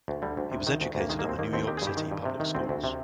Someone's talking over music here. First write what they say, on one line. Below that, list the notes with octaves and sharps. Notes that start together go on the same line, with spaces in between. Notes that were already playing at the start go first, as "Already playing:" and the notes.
He was educated at the New York City public schools.
D2
D3 G3
D2
C3
D#3
D2
D2
A#3
D#3 G#3
A#3
D#2 C4
D#3 A#3
D#2 C4
D#3 G4
G#4
G2
G4
D#3
G2
C3
D#3
D2 C4
D2
C3